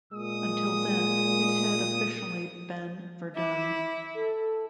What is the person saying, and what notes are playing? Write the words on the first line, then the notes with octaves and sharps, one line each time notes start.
Until then, it had officially been Verdun.
A#2 G#3 D#6
E4 D6
A4